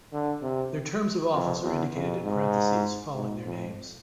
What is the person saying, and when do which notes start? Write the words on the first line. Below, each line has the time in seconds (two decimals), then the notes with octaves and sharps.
Their terms of office are indicated in parenthesis following their names.
0.12 D3
0.42 C3
1.33 F2
1.63 E2
1.94 F2
2.23 G#2
3.15 G#2
3.45 F2